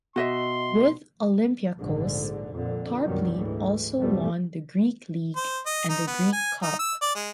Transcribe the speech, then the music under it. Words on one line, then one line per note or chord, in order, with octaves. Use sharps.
With Olympiacos, Tarpley also won the Greek League and the Greek Cup.
B2 F#4 D#5 E5 C6
F1 A#1 G#2 D3 G#3
F2 A#2 D3
C2 F#2 B2 D#3 F#3 G3
D2 G#2 E3
F2 G#2 B2 G3 A3
C5
D#5
D#4
B3
G#5
D#4
E6
D5
G#3